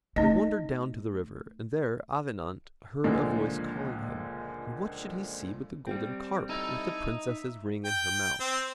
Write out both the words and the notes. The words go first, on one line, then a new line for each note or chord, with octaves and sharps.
They wandered down to the river, and there Avenant heard a voice calling him, and what should he see but the golden carp, with the Princess's ring in her mouth.
A3 D#4 D#5
C#2 A#2 D3 F3 G#3
G3 C4
D#4 E4 A4
E5
G5
C4